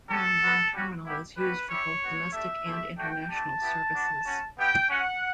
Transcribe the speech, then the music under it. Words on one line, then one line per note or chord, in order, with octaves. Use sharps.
Only one terminal is used for both domestic and international services.
G3 C#4 F#4 A4
B3 F#4
G3 C#4 F#4
B3 E4 G4
G3 C#4 F#4 B4
G3 C#4 E4 G4 C#5
B3 F#4
A3 D4 G4 E5
A3 E4 G4
A3 D4 F#4 G5
A3 D4 G4 A5
B3 E4 G4
B3 D4 F#4
C#4 F#4
B3 E4 G4 G5
C#4 F#4 F#5